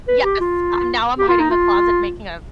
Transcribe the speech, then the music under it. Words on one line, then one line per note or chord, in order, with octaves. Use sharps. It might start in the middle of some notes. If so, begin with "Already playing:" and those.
Yes, I'm now I'm hiding in the closet making a
B4
G4
F4
G4
F4
D#4
F4